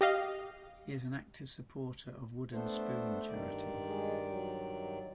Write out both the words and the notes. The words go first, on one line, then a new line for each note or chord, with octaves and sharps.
He is an active supporter of Wooden Spoon charity.
G4 D#5 F5
A3 B3 D4 C5
G2 D#3 D5
G#3
F#3